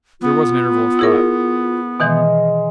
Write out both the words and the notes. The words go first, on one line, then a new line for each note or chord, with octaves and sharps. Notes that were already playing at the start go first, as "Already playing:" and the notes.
There was an interval of thought.
B3 F4
E4 G#4 A#4
B2 D#3 E3 G#3